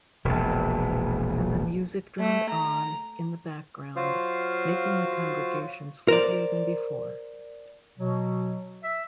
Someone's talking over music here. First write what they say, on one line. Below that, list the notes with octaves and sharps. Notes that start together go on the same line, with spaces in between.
And the music droned on in the background making the congregation sleepier than before.
E1 A#1
A3
A#5
F#3 F4 F#4 C5 F5
A#4 C5 D5
B2 F#3
E5